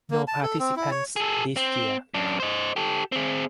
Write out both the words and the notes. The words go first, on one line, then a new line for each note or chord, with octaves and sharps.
No participants this year.
A#3
A5
A4
C4
E4
C#5
G#4 A4
C4
F#2 D4
C5 D#5
G4 A4
C4 G#4